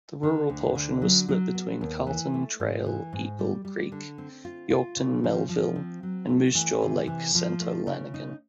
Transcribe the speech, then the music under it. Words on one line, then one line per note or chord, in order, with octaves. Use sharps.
The rural portion was split between Carlton Trail-Eagle Creek, Yorkton-Melville and Moose Jaw-Lake Centre-Lanigan.
D3
D2
D3
F#3
F#3
B3
D#2
E3
A3
G#2
E3
G#2
G3
G3
D3
C4
F4
F4
C#3
F3
F3
C4
F#3
A3
E3
C3
E3
F3
A3
C#3
D#4